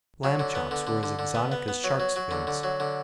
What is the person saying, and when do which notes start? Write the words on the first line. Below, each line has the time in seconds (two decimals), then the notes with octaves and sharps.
Lamb chops were as exotic as sharks' fins.
0.24 F#3
0.39 D3
0.55 B3
0.71 D3
0.87 D3
1.03 D3
1.19 D3
1.35 B3
1.52 B3
1.68 B3
1.84 F#3
2.00 F#3
2.16 F#3
2.31 D3
2.47 D3
2.63 F#3
2.80 D3